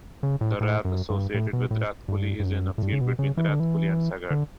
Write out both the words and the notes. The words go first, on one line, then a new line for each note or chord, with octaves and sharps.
The rath associated with Rathcoole is in a field between Rathcoole and Saggart.
C#3
A2
A2
F#2
G2
A2
B2
A2
G2
G2
F#2
A2
G2
C#3
B2
C#3
E3
D3
E3
D3